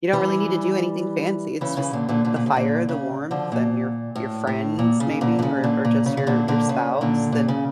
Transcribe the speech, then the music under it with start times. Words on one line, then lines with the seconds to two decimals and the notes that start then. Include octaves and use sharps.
You don't really need to do anything fancy, it's just the fire, the warmth, and your your friends maybe, or or just your your spouse, and
0.13 E3 G3
1.61 C#3 E3
1.77 C#3 E3
1.93 A#2 D3
2.09 A#2 D3
2.25 A#2 D3
2.36 A#2
2.46 C#3
2.57 A#2 D3
2.89 C#3
3.31 D3 F3
3.52 A#2
4.15 A2
4.47 A2
4.79 A#2
5.00 C#3
5.21 A#2 D3
5.39 A#2
5.42 C#3
5.64 A#2 D3
5.85 A#2
6.06 C#3
6.17 C#3
6.27 A#2 D3
6.48 A#2 D3
6.69 C#3
7.01 A#2 D3
7.32 A#2
7.48 C#3